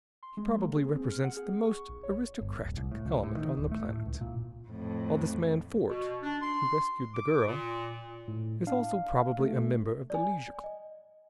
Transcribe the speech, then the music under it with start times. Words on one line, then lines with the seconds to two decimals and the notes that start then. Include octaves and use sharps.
He probably represents the most aristocratic element on the planet; while this man Fort, who rescued the girl, is also probably a member of the leisure class.
0.23 C6
0.37 G#3
0.58 A#3
0.76 G#4
0.94 C4
1.11 F6
1.24 F#5
1.37 G#4
1.66 C#6
1.89 A#1
2.03 C#5
2.41 G1
2.61 D1
2.77 C2
2.91 A2
3.05 C#2
3.23 A2
3.37 D#3
3.57 D1
3.71 A3
3.89 A2
4.06 C#2
4.21 A#2
4.69 F2 A2
5.88 B2
6.23 D4
6.42 C6
7.15 D6
7.47 A#2
8.28 A2
8.67 D4 F5
9.39 A3
10.10 D5 G#5
10.64 D#5